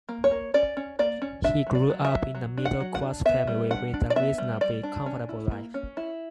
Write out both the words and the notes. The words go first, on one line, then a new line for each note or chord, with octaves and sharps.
He grew up in a middle-class family with a reasonably comfortable life.
A#3
C#5
A#3
C#4 D5
C#4
A#3 D5
C#4
D4 E5
F#3
D5
F#3
E5
F#3
F#3
D4
F#5
F#3
F#5
D4
B3 E5
G3
D4 F#5
D4
D5
B3 E5
G3
G3 D5
D4
C#4
E4
A#3
C#4
E4